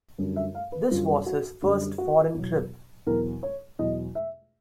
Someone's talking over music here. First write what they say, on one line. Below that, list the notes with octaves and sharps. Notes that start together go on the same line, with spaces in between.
This was his first foreign trip.
F#2 D3 G3
E5
F5
B4
F#2 D3 G3 F4
F#4
F#2 D3 G3
F#4
E2 B2 F#3
E2 B2 F#3 A#4
C#5
E2 B2 F#3 D#5
E5